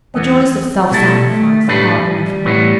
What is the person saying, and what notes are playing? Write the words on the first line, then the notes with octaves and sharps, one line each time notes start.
The joys of self-sacrifice are ineffable.
E2 E3 B3
B2 G3 A3 E4 A4
A3
A2 G3 A3 D4 B4
G3
A2 E3 B3